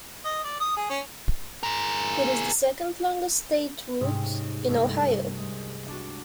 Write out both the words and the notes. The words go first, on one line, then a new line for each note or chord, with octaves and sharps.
It is the second longest state route in Ohio.
D#5
D5
D#6
G#4
C#4
G#4 A#4
G#2 C3 G#3 C#4 G#4
C2 G2 A3 A#4 D#5
G#3
D4 F#4